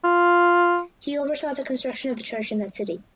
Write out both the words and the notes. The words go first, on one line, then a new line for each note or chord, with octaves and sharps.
He oversaw the construction of the Church in that city.
F4